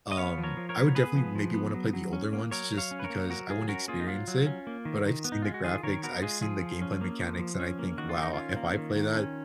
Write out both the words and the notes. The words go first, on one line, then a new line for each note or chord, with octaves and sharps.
Um, I would definitely maybe wanna play the older ones, just because I wanna experience it. But I've seen the graphics, I've seen the gameplay mechanics, and I think, "Wow. If I play that,
D#5
B3 C#5 F5
F3
A#4 C#5
F3
A#4 C#5
B3
B3 G#4 B4
F3
F3
B3
F#3
F#3
C#4
A#3
F#3 A#4 C#5
F#3
C#5 F5
C#4
B4
A#4 C#5
A#3
F#3 F#4 A#4
F#3 F4 G#4
C#4 F#4 A#4
A#3 F4 G#4
D#4
F#3 F4
F#3
C#4
A#3
D#3
D#3
B3
D#4
G#3 F4
F#4
D#3 F4 G#4
D#3 A#4 C#5
B3 F#4 A#4
G#3 F4 G#4
F3 F4 G#4
F3
C#4
A#3
F3
F3
C#4
A#3
D#3 F#4
F4
D#3
D#4
C#4 F4
A#3
D#3
D#3
C#4